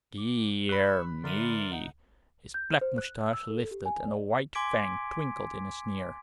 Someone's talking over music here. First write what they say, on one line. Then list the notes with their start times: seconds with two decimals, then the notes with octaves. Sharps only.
"Dear me!" His black moustache lifted and a white fang twinkled in a sneer.
0.18 D6
0.69 B5 C#6 E6 F#6
1.24 D3 A#4 D5 E5 C6 D#7
1.72 D#4 F#5
2.54 G6
2.81 C5
2.98 F#6
3.33 E6
3.50 A4
3.71 G4
3.86 G#5
4.08 D5
4.55 G#5 C6 D6 G#6 B6 D7